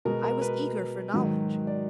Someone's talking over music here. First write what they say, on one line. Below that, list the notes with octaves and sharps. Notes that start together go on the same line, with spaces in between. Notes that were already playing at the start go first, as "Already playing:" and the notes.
I was eager for knowledge.
B2 G#3 A#4
A#4
B4
G#2 D#3 F#3
D5